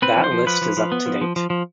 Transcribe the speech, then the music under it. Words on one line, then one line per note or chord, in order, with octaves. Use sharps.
That list is up to date.
C4 B4
F3
C5
F3
F3 B4
F3
F3
B3
F3
F3
F3
F3